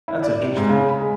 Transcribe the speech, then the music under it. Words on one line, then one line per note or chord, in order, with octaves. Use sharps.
That's interesting.
E4
D5
C3
G#2
C#3
B5
G#3